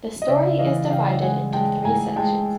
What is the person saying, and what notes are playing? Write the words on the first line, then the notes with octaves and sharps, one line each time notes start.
The story is divided into three sections.
D#5
C#3 D5 E5
E3 D#5 F5
C#3 F5 G5
G#3 F#5 G#5
G#3 G5 A5
A2 G#5 A#5
G#3 G5 A5